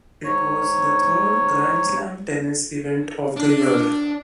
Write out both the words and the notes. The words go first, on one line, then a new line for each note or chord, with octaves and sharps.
It was the third Grand Slam tennis event of the year.
G#2 C#5
D4